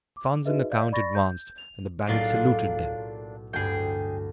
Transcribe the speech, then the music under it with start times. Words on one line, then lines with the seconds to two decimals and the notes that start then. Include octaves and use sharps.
Franz and the count advanced, and the bandit saluted them.
0.17 D6
0.45 D#4 F#4 G#4 B4 D#5 E5
0.70 D5 D#5 F5 G6
0.92 D5 B5 C#6 A6 A#6
1.15 G6
1.58 F7
2.08 B1 A2 A#3 D4 F4 G#4
3.53 D2 G2 G#4 G5